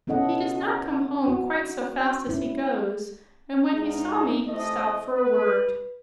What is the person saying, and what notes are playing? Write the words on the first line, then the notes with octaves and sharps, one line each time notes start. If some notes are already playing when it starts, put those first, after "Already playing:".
He does not come home quite so fast as he goes, and when he saw me he stopped for a word.
B3 C#4 E4 A4 D#5 F#5
E4 F#4
C#4 E4
E2 G#3 D#4
C3 E3 A3 C5 D#5
B4